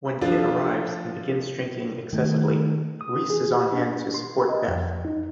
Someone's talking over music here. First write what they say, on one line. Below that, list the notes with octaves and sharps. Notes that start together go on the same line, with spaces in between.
When Kit arrives and begins drinking excessively, Rhys is on hand to support Beth.
F3 D4 F4 A4
D#3 A3
D#6
G#4
G4
D4
C6
D#5
F2
D#4